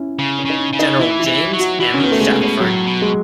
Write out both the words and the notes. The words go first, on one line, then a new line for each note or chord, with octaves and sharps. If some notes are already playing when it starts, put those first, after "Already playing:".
General James M. Shackelford.
Already playing: C#4 E4
C#3
C#4
C#3 D#4
C#4
C#3
D#4
E3 E4
E4
E3
E4
F#3
F#4
E3 F#4
C#4
D#3 B3
A3
C#3 G#3
B2
A2 F#3
B2
G#3